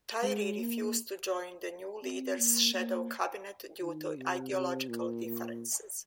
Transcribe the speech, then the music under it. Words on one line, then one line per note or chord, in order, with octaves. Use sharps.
Tyrie refused to join the new leader's shadow cabinet due to ideological differences.
G#3
A#3
C4
A#3
A#3
D#3
C3
C3
A#2
A#2